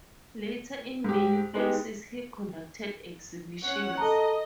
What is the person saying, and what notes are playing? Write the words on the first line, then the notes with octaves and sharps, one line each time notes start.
Later in many places he conducted exhibitions.
G#2 G4
G#3 B3 D#4 G4
C#4 C#5 F#5
A4 D#5 A5 A#5